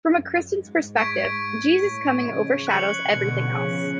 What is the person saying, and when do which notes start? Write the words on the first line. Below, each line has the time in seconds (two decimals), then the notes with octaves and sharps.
From a Christian perspective, Jesus’ coming overshadows everything else.
0.13 F#2
0.56 G#2
0.98 C#6 G#6 B6 D7
1.83 A2
2.25 C#3 F3
2.67 C#3 F#6 C#7 F#7
3.10 B2 D3
3.52 C#3 F3